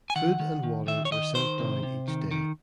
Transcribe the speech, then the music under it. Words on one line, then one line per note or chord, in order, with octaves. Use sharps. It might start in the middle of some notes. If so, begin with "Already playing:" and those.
Food and water were sent down each day.
G#5
D#3 F#5
D#3
D#3
D#3 E5
C#5
D#3 D#5
D#3 C5
C3
C3
D#3
D#3